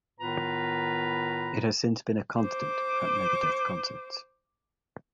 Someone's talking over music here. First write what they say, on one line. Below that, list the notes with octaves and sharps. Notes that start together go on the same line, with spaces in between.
It has since been a constant at Megadeth concerts.
A2 D#3 B3 F4 B4 A#5
C5 D6